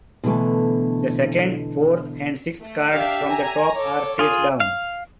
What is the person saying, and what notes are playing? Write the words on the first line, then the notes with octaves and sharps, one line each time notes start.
The second, fourth, and sixth cards from the top are face down.
B2 D3 E3 A3
A3
D4 G4 E5 F5
G#5 A#5
A4 C#5 D6
F4 G#4
F5